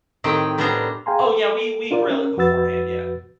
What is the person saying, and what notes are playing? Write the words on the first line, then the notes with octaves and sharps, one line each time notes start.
Oh, yeah, we we grill it beforehand, yeah.
A2 D#3 C4 G4 G5
A2 G3 B3 D4 C5 A#5
G#4 F5 G5 G#5 A#5 C6
A4
D4 F4 A#4 D5
C#4 A#4
F2 F#4 B4 E6 A6